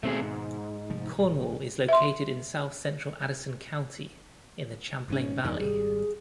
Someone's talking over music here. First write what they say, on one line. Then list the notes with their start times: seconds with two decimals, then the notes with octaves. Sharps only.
Cornwall is located in south-central Addison County, in the Champlain Valley.
0.03 B2 D#3 G#3 A3 C4 G#4
0.22 G#2
0.90 C3 F3 A3
1.16 B1 A2 D#3
1.89 E5 C6
5.08 G#1 G#2 C#4
5.44 E2 G2 D#3
5.56 G#1 G3 G#4